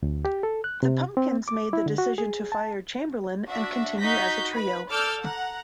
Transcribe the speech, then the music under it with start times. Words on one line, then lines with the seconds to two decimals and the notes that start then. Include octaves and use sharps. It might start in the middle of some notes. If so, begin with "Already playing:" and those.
The Pumpkins made the decision to fire Chamberlin and continue as a trio.
0.03 D2
0.25 G4
0.43 A4
0.64 F#6
0.83 C3
1.17 C4
1.48 D6
1.73 E4
1.86 D3
1.98 F#4
2.18 G#4
2.52 A5
3.47 D4 F#4 E5
3.98 D#4 F#4 G6 A#6 B6
4.53 B4 B5
4.90 A4 D5 D6 E6 F6 G6
5.21 F#5 A#5